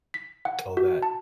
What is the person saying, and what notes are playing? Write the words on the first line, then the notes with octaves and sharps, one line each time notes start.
all that,
B6
F#5
F#4
A5